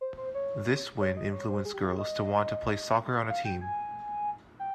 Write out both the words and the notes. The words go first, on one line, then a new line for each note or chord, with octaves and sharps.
This win influenced girls to want to play soccer on a team.
C5
C5
C#5
C#5
D#5
C#5
C5
G#4
G4
F4
G4
D#5
F5
G5
G#5
G5